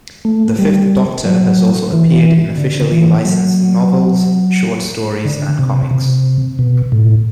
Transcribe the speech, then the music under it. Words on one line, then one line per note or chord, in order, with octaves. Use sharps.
The Fifth Doctor has also appeared in officially licensed novels, short stories and comics.
A3
G3
F#3
E3
D3
E3
F#3
D3
C3
C3
B2
A2